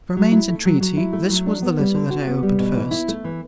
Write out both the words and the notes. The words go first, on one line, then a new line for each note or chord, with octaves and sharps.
At Romayne's entreaty, this was the letter that I opened first.
F#3
E4
A3
F#3
F#3
E4
A3
F#3
D4
B3
G3
D3
F#4
B3
G3
B2
E3
E4
A3
E3